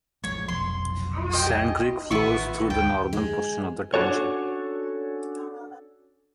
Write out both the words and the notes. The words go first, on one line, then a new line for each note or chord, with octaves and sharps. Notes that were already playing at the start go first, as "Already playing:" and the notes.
Sand Creek flows through the northern portion of the township.
A1 F3 G#3 C#5
F1 B1 C6
D#5 G5
A1 D#3 B3 E4 C#6
D2 G5
G#3
C#4 D4 F4 F#4 A4 C#5